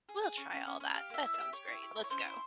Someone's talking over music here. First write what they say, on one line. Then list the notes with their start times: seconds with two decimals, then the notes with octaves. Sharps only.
we'll try all that, that sounds great, let's go."
0.09 G#4
0.24 G#4
0.37 C#4
0.52 C#4
0.66 C#4
0.80 C#4
0.95 G4 F5
1.10 A#3 E5
1.24 E4
1.34 G4 E5
1.53 G4 C#5
1.68 E4
1.82 G4
1.96 E4
2.04 C#5
2.10 C#4 C5
2.25 E4